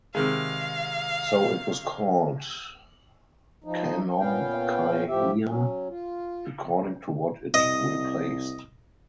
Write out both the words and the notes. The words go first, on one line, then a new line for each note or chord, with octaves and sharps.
So it was called "khanom khai hia" according to what it replaced.
C3 D#3 G#3 F5
F3 D#4
A#2 B3 C#4 F5 G5
A2 F3 G4 E5
F#3 C#4
F4
C2 D#5